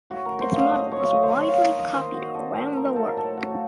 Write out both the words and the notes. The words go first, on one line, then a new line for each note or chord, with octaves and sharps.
Its model was widely copied around the world.
A2 F#4
A#4
F#3 A3 C5
D#5 F5
A2 D#5
C#5
F#3 A3 F5
D#5
C5
D#3 C#5
F5
A#3 D#4 D#5
D#5
D#3 C5
F#4
A#3 D#4
A4
A2 C5
A#4
F#3 A#3 D#4
A4
A#4
A2 A4
F#4
F#3 A#3 D#4